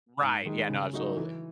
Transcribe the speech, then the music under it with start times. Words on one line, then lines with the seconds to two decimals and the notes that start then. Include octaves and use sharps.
Right, yeah, no, absolutely.
0.21 G#2
0.46 D#3 G#3 D#4
0.69 C#3
0.93 F#3 A3 D#4 F#4
1.17 E3